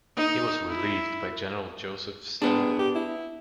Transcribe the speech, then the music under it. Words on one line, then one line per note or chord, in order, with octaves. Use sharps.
He was relieved by General Joseph Stilwell.
D#4
E4
B3 D4 G#4
G4
E4